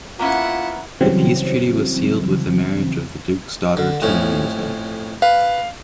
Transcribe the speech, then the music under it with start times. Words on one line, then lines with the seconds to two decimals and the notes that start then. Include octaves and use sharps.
The peace treaty was sealed with the marriage of the Duke's daughter to Munuza.
0.19 A#3 B3 C#4 E4 F4 F#5
1.01 C#3 E3 F#3 G3 C4
3.77 D3
4.02 F2 A2 C#4
5.22 B4 F5